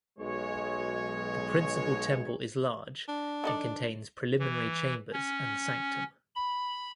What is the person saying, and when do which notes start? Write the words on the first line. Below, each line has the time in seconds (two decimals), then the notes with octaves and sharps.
The principal temple is large and contains preliminary chambers and sanctum.
0.19 B1 G#3 C#5
3.08 D4
3.44 D#4 A4 D5
4.39 E3
5.13 C#4
6.36 B5